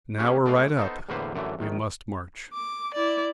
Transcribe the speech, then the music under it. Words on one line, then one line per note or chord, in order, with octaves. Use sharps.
Now we are right up, we must march.
A3 A#3 C#4 G4 G#4
G#3 A3 D5 D#5 F5
B3 D#4 A4 C5
E2 A2 D3 A#3 B4 C5
F#2 D3 E3 A3
A#1 D#3
D6
E4 D5